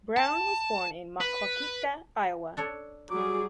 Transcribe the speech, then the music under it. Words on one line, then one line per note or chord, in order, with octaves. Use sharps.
Brown was born in Maquoketa, Iowa.
A5
B4
D4 A4 C#5
F#3 G3 F#4 G#4 D6